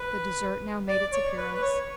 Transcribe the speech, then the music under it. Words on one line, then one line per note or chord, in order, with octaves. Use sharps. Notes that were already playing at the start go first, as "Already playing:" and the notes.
The dessert now made its appearance.
Already playing: B4
D5
C#5
B4
B4
C#5